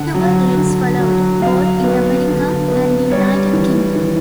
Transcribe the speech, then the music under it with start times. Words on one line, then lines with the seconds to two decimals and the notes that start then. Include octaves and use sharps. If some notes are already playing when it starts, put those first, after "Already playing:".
Tour dates followed, both in America and the United Kingdom.
Already playing: D3 F#5
0.15 F#3
0.57 D3
0.99 F#3
1.42 F#3 F5
1.84 B3
2.27 D3
2.68 B3
3.11 G3 C#5
3.53 E3
3.96 E3